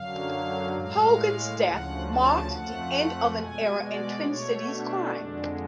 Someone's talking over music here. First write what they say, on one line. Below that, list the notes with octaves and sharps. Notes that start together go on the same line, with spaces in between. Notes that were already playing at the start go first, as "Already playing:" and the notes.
Hogan's death marked the end of an era in Twin Cities crime.
Already playing: F#2 D3 F#3 F5
A2 G#3 F5
D2 C#3 F3 F#5
A5
F2 F3 A3 F#5
B2 G#3 G#5
D5
B2 A3 C#5
D4
F2 D3 G#3